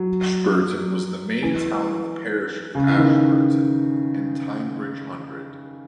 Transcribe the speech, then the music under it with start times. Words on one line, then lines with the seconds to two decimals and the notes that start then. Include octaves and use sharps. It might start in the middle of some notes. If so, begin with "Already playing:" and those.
Ashburton was then the main town of the Parish of Ashburton, in Teignbridge Hundred.
Already playing: F#3
1.43 E3
2.75 C#3
2.88 E3
2.97 D#3